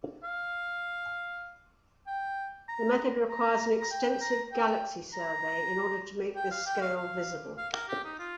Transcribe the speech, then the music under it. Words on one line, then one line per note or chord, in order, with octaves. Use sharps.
The method requires an extensive galaxy survey in order to make this scale visible.
F5
G5
A#5
A#5
A#5
G5
G5
A#5
G5
A#5
G5
F5
G5
F5
F5
F5
A#4
G4
D#4
F4